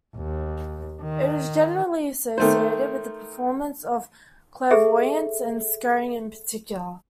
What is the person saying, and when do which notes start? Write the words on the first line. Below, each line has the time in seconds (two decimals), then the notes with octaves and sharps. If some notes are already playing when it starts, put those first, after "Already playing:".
It is generally associated with the performance of clairvoyance and scrying in particular.
0.17 D#2
1.02 D#3
2.38 D#3 A3 C5
4.71 G#4 A4 E5